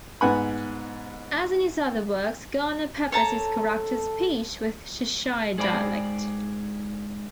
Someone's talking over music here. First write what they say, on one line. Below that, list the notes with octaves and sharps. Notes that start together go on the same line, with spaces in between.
As in his other works, Garner peppers his characters' speech with Cheshire dialect.
G#2 B3 F#5 G#5 B5
A4 C#5 A5 A#5
G#2 G#4 C5 D5 G5 B5